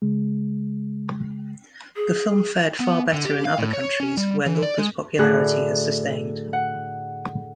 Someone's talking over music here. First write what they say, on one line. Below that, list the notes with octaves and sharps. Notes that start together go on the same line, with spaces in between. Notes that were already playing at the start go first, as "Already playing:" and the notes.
The film fared far better in other countries where Lauper's popularity has sustained.
C#3 G#3
G#4
B3
D3
G4
F5
A2
C#5
C#4
G3
E3
D5
G#3
A2 D3 F#4 G#4 F#6
F#5